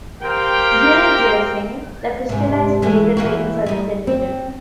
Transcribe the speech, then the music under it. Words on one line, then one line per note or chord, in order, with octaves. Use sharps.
During piercing, the fistula is created by inserting the needle.
C4 G4 A#4 F5 G5
G#2 C3
E3 G#3 A3
E3 A#3 F#4
G3 D#4
C4